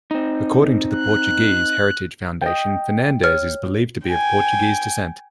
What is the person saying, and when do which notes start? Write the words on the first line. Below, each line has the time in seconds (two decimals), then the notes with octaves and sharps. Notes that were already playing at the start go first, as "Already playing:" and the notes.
According to the Portuguese Heritage Foundation, Fernandez is believed to be of Portuguese descent.
0.11 C4 D#4
0.94 F#6
2.41 D#5 G5
3.23 C#5 F6
4.07 G5 G#5